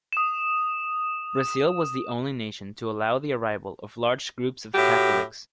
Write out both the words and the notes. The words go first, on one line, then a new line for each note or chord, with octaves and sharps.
Brazil was the only nation to allow the arrival of large groups of Catholics.
D#6 E7
A2 F#4 G4